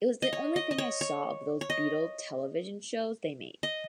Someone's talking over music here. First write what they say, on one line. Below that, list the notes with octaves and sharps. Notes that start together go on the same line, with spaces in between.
It was the only thing I saw of those Beatles television shows they made.
D#5
C#5
D#5
D#5
C#5
C#5
C#5
D#5
D#5